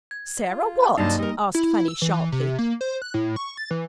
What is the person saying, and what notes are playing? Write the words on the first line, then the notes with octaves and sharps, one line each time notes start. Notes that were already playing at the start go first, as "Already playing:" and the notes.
'Sarah what?' asked Fanny, sharply.
G#6
F4
G2 C3 F#3 A#3 D4 D#4 D#5 A5
G3 A#4 D#5
E4
E6
E3
E3
C3
A#3
C5
F#6
A2
C#6
A6
E3